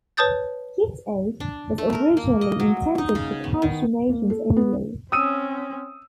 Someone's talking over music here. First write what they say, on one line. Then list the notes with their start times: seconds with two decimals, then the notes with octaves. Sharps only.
Gift Aid was originally intended for cash donations only.
0.17 B4 C#5 A5 D#6 G6 A6
1.40 D4
1.78 A3
1.93 A#4
2.17 A#3
2.41 D#5
2.60 F#3
2.98 D#4
3.15 C#3
3.44 B3
3.62 D#3
4.10 A#3
4.30 A4
4.57 B3
5.12 C4 C#4 D#6 E6 D#7